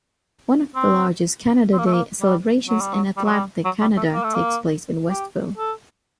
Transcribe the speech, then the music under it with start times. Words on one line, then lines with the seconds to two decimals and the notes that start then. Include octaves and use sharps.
One of the largest Canada Day celebrations in Atlantic Canada takes place in Westville.
0.75 C4
1.73 C4
1.79 A#3
1.86 A3
1.93 A#3
2.21 G3
2.68 F#3
2.81 G3
2.94 F#3
3.17 G3
3.24 F#3
3.32 G3
3.65 F#3
3.81 G3
3.97 A3
4.14 A#3
4.24 A3
4.35 A#3
5.10 G4
5.57 A4